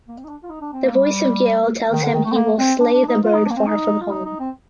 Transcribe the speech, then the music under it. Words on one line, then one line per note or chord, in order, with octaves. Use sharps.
The voice of Geol tells him he will slay the bird far from home.
A#3
C4
D#4
D4
F4
D#4
D4
C4
A#3
G3
D#3
D3
D#3
A3
C4
A#3
C4
D4
D4
D#4
F4
D#4
D4
A#3
C4
D#4
F4
D#4
D#4
C4